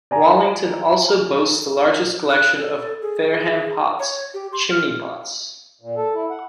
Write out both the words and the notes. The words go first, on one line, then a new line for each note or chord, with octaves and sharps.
Wallington also boasts the largest collection of "Fareham pots" - chimney pots.
D5 G#5 A#5
F#6
A4
G#4
C#5
G4
C6
F6
A#2
A4
E4
F#5